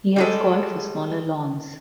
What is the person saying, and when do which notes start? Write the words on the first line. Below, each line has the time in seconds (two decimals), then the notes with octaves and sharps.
He has called for smaller lawns.
0.16 G3 G#3 A4